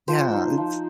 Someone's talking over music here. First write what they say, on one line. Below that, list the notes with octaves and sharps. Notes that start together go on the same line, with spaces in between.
Yeah, it's
F3 C5
D#4
F3